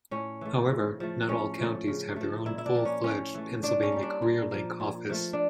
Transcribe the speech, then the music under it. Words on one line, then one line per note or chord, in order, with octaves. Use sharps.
However, not all counties have their own full-fledged Pennsylvania CareerLink office.
A2 C#4
E3 A3
C#3
F3 A3
A2 C#4
F3 A3
C#3
F3 A3
A#2 E4
E4
D4
F3 A#3
C#4
A2 C#4
E3 A3
A2 D4
C#4
G3 A#3
D4
A#2
F3 A#3
A#2
F3 A3
D4